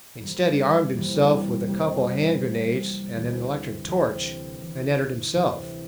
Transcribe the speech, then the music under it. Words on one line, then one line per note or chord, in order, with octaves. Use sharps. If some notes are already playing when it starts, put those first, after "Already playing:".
Instead, he armed himself with a couple of hand-grenades and an electric torch and entered himself.
F2 C3 E3 G3 A#3
F2 C3 E3 G3 A#3
F2 C3 E3 G3 A#3
F2 C3 E3 G3 A#3
D2 C3 E3
D2 C3 E3
D2 C3 E3
D2 C3 E3